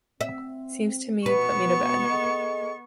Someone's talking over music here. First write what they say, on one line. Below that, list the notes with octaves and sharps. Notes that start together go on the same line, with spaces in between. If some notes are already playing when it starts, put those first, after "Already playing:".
Seems to me you put me to bed.
C4 E5
F2 G#2 B2 B3 B4 C#6
G#4 A4 D#5